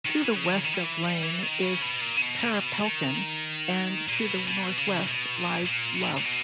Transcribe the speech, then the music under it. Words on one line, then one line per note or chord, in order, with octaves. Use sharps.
To the west of Lane is Perepelkin, and to the northwest lies Love.
D#3
E3
C#3
D#3
C#3
D#3
G3
E3
G3
E3
D#3
C#3
B2
A#2
C#3
B2
C#3
B2
D#3
A#2
B2
B2
C#3
B2
A#2
A#2
B2
A#2
A#2
B2